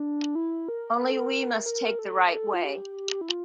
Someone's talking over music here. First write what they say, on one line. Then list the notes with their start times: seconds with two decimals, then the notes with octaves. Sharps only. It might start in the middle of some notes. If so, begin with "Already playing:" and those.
Only we must take the right way.
Already playing: D4
0.35 E4
0.68 A#4
1.00 A#4
1.10 A4
1.19 A#4
1.66 A#4
1.99 A4
2.54 F4
2.65 G4
3.21 E4
3.29 F4